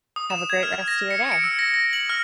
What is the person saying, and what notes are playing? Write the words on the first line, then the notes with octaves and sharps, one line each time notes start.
have a great rest a your day.
D#6
E7
G#6
F6
A#6
C#7
D7
E6
A#6
A#6
F#7
F6